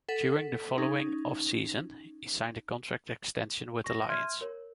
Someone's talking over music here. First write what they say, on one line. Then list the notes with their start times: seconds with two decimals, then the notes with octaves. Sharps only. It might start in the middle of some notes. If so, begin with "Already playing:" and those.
During the following off-season, he signed a contract extension with the Lions.
0.09 A4 F#5 B6
0.78 C#4 D#4
3.84 C#6 A#6
4.08 E5 C6 F6 G#6 D#7
4.41 A#4 C#5